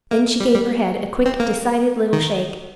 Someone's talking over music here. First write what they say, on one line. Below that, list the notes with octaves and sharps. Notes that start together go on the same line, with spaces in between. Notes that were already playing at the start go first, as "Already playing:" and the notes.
Then she gave her head a quick decided little shake.
A#3
G3
G3
C4
A#3
D#3